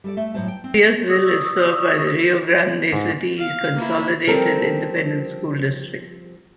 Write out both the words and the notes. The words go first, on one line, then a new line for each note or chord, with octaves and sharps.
Garciasville is served by the Rio Grande City Consolidated Independent School District.
G3 A4 D5
A3 E5
A2 F#3 C5 D5 A5
G5
C4
D5 C#6 D#6 E6
G#2
F5
A#3 E4
F3 G3 C4 A4 A#4